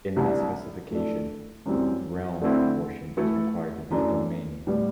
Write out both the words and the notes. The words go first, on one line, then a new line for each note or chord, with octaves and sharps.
In that specification, the 'realm' portion is required to be a domain name.
C2 C3 E3 G3 D4
E3 A3 D4 A4
F#2 E3 G3 C4
D3 A3 C4 E4
E3 A3 E4 A4
F#2 E3 A3 D4
A2 G3 B3